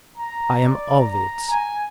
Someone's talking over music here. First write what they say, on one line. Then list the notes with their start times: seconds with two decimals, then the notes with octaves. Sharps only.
I am of it.
0.18 A#5
0.64 D5
0.98 A#5
1.50 G#5